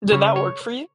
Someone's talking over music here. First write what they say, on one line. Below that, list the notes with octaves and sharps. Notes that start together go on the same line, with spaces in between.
Did that work for you?
C#3 C#5
C#5